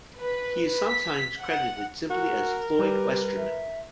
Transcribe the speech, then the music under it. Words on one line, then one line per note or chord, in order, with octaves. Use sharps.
He is sometimes credited simply as Floyd Westerman.
B4
B6
F#5
F#4 A#4
G3 G4 B4
E5